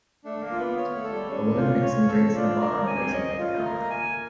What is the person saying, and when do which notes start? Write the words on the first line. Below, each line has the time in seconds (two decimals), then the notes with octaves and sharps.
A woman mixing drinks in a bar and posing for the camera.
0.24 A3 D4
0.42 A#3
0.51 F4
0.60 B3
0.77 B3 C#5
0.94 A3
1.04 A4
1.12 G3
1.29 C#4 D4
1.56 F4
1.82 C#5
2.08 A4
2.34 D4 F4
2.60 D4 A#4
2.86 C#4 G#5
2.99 C4
3.13 C#4 D#5
3.38 F4
3.57 A3
3.64 A#4
3.73 A#3
3.90 G#5